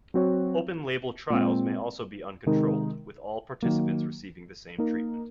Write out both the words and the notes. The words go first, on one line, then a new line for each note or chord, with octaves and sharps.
Open-label trials may also be uncontrolled, with all participants receiving the same treatment.
F#3 C4 F#4 C#5
A#2 G#3 C4
C3 D#3 G#3 D#4 A#4
D#3 F#3 A#3
A#3 D#4 A#4